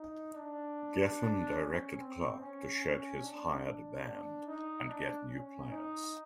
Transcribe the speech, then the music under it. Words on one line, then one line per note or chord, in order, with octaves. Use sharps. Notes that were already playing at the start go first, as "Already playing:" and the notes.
Geffen directed Clarke to shed his hired band and get new players.
Already playing: D#4
D4
C#4
C4
C#4
C#4
D4
D4
D4
D#4
D4
C#4
D#4